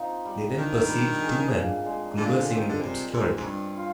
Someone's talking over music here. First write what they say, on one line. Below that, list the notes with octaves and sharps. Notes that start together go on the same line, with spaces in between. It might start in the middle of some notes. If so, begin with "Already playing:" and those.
They then perceived two men conversing in the obscurity.
Already playing: F3 C4 D#4
G3
D#3 D4
G3
G#4
A#2
G#3
A#2 D3
C4
D#3
D3
C3 G3
G#2 C4
G#2
G2 G3
F4